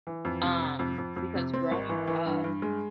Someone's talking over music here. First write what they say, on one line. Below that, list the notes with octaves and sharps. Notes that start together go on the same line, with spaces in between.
um, because growing up,
E3
F2
C3
C3
F2
F2
F2
C3
C4
G#1
E3
E3
G2
G2
G#3